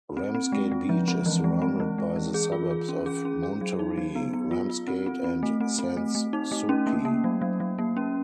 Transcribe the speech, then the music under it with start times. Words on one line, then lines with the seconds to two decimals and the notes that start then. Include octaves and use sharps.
Ramsgate Beach is surrounded by the suburbs of Monterey, Ramsgate and Sans Souci.
0.17 C4
0.35 C4
0.52 G#3
0.72 G#3
0.89 F3
1.08 C4
1.26 E3
1.44 G#3
1.62 C4
1.80 E3
1.98 G#3
2.16 E3
2.34 G#4
2.52 F4
2.71 G#4
2.89 C#4
3.06 G#4
3.25 C#4
3.43 G#4
3.61 F#3
3.79 D#4
3.98 F#3
4.15 B3
4.33 B3
4.51 F4
4.69 F4
4.88 C4
5.06 C4
5.24 C4
5.43 A3
5.60 C4
5.78 C4
5.97 A3
6.15 A3
6.33 D#4
6.51 A3
6.69 C#4
6.87 A#3
7.05 A#3
7.24 F#3
7.42 F#3
7.60 F#3
7.78 A#3
7.97 C#4